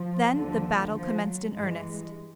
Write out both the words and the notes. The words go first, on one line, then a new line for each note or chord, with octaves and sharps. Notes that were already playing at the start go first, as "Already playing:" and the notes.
Then the battle commenced in earnest.
Already playing: F3
D#2 D3 F3
F3
F#3
G2 E3 G#3